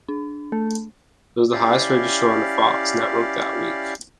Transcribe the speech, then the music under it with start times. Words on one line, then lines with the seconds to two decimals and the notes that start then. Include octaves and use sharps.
It was the highest-rated show on the Fox network that week.
0.08 D4
0.52 A3
1.52 C#4 E4 G4 D5 F5